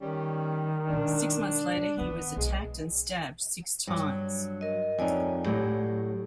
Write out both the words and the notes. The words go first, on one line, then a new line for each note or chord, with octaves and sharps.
Six months later, he was attacked and stabbed six times.
D#3 G3 C#4
B2 G#3 D4
D#2 D#3 B3
D#3
B1 E2 G#3
G2 F#3
A#4 D#5
F2 D#4 C#5 D5 G#5
A2 F#3 G4 D5